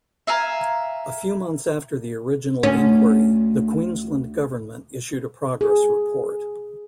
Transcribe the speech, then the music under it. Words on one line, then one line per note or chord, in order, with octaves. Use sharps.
A few months after the original Inquiry, the Queensland Government issued a progress report.
E5 F5 G#5 A#5
D2 C#4
G#4